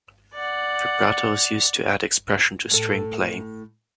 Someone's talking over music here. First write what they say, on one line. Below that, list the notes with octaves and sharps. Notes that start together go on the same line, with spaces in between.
Vibrato is used to add expression to string playing.
D5 F#5
A2 A4